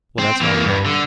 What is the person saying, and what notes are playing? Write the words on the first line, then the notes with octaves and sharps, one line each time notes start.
Well, that's how he walked.
C4
E3 A#3
G2
D3